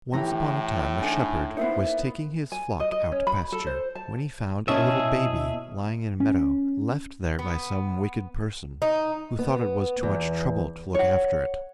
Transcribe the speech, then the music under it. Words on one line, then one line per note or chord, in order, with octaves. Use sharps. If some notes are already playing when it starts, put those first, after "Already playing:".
Once upon a time a shepherd was taking his flock out to pasture, when he found a little baby lying in a meadow, left there by some wicked person, who thought it was too much trouble to look after it.
A2 E3 G4 A#5
D4 D#4 A4 G#5
A#3 B3 D#4 E4 C5 E5
G#5
D#5
D#5
C#4
B5
A4
C5
A5
B2 C#4 E4 G#4 D#5 E5 A5
C#4
B3
D#4
B3
E2
C#5 F#5